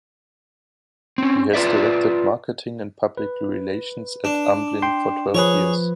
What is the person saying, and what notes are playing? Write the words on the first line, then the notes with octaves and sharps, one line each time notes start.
He has directed marketing and public relations at Amblin for twelve years.
C4 C#4
F4 B4 D5 E5
B4
D4
G5 C6
F3 G#4 B4 C#5